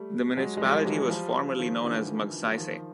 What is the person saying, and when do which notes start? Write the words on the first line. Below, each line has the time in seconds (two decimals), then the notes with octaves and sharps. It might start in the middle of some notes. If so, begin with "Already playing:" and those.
The municipality was formerly known as Magsaysay.
Already playing: G3 A3
0.37 F#3 G#3
0.57 G#3
0.61 F3 G3
0.85 E3 F#3
1.10 F3 G3
1.59 D#3 F3
1.83 D3 E3
2.46 F#3
2.57 D#3 F3